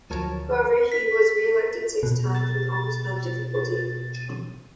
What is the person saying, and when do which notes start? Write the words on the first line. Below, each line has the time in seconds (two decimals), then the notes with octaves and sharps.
However, he was reelected six times with almost no difficulty.
0.10 D2 F3 F#3 A#4 C#5 A5
0.92 B6
2.03 B2
2.34 A6